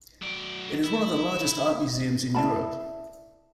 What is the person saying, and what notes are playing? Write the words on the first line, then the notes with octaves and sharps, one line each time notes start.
It is one of the largest art museums in Europe.
F#3 D5
E4
E4 D5 A5 B5